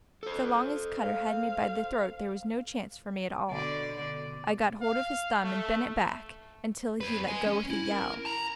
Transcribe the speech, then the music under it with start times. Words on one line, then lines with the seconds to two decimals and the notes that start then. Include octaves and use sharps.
So long as Cutter had me by the throat, there was no chance for me at all. I got hold of his thumb and bent it back, until he let go with a yell.
0.23 A4 C5
0.98 F5
3.49 B2 D3 D5
4.81 F5
5.43 A3
7.01 F2 B4
7.28 D#5 G#5
7.46 C#4
7.70 E4
7.91 A#4
8.25 A5 A#5